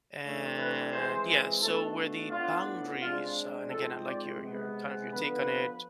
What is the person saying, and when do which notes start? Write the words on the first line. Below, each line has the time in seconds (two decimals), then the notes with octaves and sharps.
And yeah, so where the boundaries, uh and, again, I like your your kind of your take on it,
0.23 E3 A3 D4
0.58 B4
0.92 E3 G#3 C4 C5
1.61 B2 A3 D4 A4
2.31 A2 F3 B3 D4 F4
3.01 C3 G#3 D4 F4
3.70 G#2 F3 G#3 C4 A4
4.05 D5
4.40 C3 G#3 B3
5.09 D3 F3 B3 B4